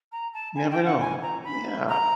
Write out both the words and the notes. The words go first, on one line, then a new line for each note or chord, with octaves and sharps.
You never know, yeah.
A#5
A5
G#5
G5
F#5
G#5
A#5
B5
A#5